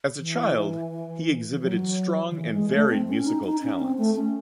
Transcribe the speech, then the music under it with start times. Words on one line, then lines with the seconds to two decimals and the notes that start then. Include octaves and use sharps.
As a child, he exhibited strong and varied musical talents.
0.18 E3
1.52 E3
1.63 F#3
2.31 D#3
2.35 E3
2.54 G#3
2.72 A3
2.89 C4
3.08 C#4
3.25 D#4
3.44 D#4
3.62 C#4
3.80 C4
3.98 A3
4.16 C#4